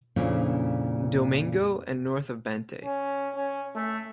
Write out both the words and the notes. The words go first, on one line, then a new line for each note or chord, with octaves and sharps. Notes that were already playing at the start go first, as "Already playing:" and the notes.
Domingo and north of Bantay.
F2 A#2 C#3 C#4 D4 E4
C#4
C#4
A3